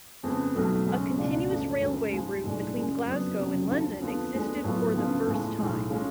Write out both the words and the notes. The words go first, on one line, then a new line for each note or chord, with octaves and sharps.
A continuous railway route between Glasgow and London existed for the first time.
F2 C#3 G#3 B3
B1 B2 F#3 A3
F#2 C#3 G#3 C#4
C#2 B2 G#3 D4 F4
F#1 F#2 F3 A3
D2 C#3 G#3
G#2 F3 G#3
B1 A2 G#3 D4
F#2 C#3 G#3
F2 C#3 F#3 B3 D4
F1 F2 C#3 F#3
D2 D3 F3
F2 D3 F3 B3 F4
D2 D3 G#3 B3 D4
A2 F#3 B3 F4
D2 C#3 F3 B3 F4
A2 F3 G#3
B1 A2 G#3
D3 G#3 C#4 F4